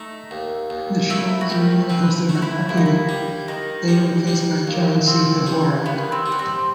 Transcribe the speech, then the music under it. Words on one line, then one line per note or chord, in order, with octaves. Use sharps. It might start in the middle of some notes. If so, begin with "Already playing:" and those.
The show was originally hosted by Mark Eddo, later replaced by John C. Dvorak.
Already playing: A3 D#4
D#2
D#2
A3 E4
F#4
D#3 G4
C4 B4
A3
F#4
E4
D#2 E4
D#4
E4
G3
D#3 D#4
G3
G3
D#2
D#3 C4
G3
D#3 B3
C4
G3
B3
C4